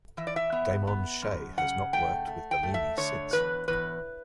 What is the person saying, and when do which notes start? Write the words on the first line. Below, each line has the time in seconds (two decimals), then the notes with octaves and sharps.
Damon Che has not worked with Bellini since.
0.17 E3 E5
0.27 D5
0.36 E5
0.52 B3
0.87 B3
1.22 F#2
1.57 C#3 F#5
1.93 A3 G5
2.27 A3
2.51 G5
2.63 A3
2.74 E5
2.97 D3 C#5
3.32 E2 B4
3.68 E2 B4